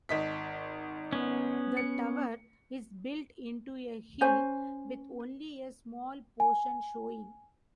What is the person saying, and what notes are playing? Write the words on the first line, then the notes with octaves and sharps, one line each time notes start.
The "tower" is built into a hill with only a small portion showing.
G#1 D#5 B6
B3 C#4
C#7
C#4 C5 G#5
G#5